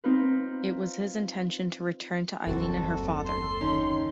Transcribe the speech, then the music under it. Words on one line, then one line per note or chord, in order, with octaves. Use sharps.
It was his intention to return to Eileen and her father.
C4 D#4 F4 B4
F#1 D#2 C4 F#4 A4
C6
D#3 C#4 D#4